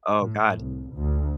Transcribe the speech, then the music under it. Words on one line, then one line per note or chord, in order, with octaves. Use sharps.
Oh, god.
A2
C2
D2